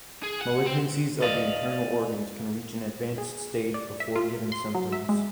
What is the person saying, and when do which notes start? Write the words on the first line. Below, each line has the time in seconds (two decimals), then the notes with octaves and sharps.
Malignancies of the internal organs can reach an advanced stage before giving symptoms.
0.24 G#4
0.42 F#5
0.66 C4
1.22 D5 D#5 F5
3.18 G#4
3.74 D5
4.00 E5
4.16 F4
4.52 C6
4.75 F#3
4.92 E5
5.09 G#3